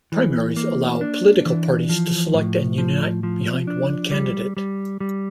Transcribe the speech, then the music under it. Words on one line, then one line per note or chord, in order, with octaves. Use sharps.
Primaries allow political parties to select and unite behind one candidate.
E3
A#3
D4
E3
F3
A2
F3
F3
D4
G3
G3
G3